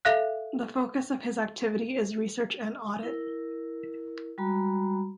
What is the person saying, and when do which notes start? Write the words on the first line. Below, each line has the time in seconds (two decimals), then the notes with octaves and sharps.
The focus of his activity is research and audit.
0.05 A4 E5 F5 F#6
3.03 E4 A#4
4.38 G3 G#3 F#4 A#5 B5